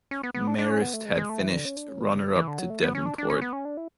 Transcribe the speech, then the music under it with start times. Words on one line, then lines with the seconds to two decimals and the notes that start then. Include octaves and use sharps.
Marist had finished runner up to Devonport.
0.11 C#4
0.23 B3
0.34 B3
0.47 D4
0.59 D4
0.70 C#4
0.82 B3
0.94 A3
1.06 G#3
1.17 G#3
1.29 A3
1.40 E3
1.53 D3
1.65 C#4
1.76 D4
1.89 C#4
1.99 B3
2.12 C#3
2.24 D3
2.36 E3
2.48 D3
2.59 F#3
2.70 A3
2.83 B3
2.95 C#4
3.06 D4
3.18 D4
3.30 C#4
3.41 B3
3.53 C#4
3.65 D4
3.77 E4